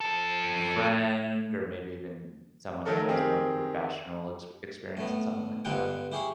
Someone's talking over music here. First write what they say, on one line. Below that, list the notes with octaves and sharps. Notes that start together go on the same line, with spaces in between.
friend or maybe even someone that has more professional exper experience in something like that?
F3 A4
D#3 F#3 A3 A4 A#4
D#3 C4 G4 G#4 A#4
A2 A3 B3
G2 D3 B3 F4 F#5 G5
E4 G4 G#4 C#5 F5